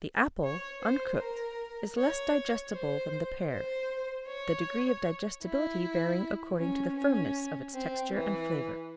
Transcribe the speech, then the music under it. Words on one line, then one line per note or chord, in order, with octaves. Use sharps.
The apple, uncooked, is less digestible than the pear; the degree of digestibility varying according to the firmness of its texture and flavour.
C#5
C5
A#4
C#5
C5
C5
C#5
E4
C#4
C#4
C4
E3